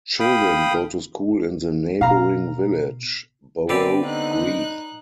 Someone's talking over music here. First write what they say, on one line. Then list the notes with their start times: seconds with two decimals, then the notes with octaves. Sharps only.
Children go to school in the neighbouring village, Burrough Green.
0.20 F5 G5 B5 D#6
2.01 B2 F5 A#5
3.69 D3 B3 C4 G4 B4 D5
4.06 D#4 F#6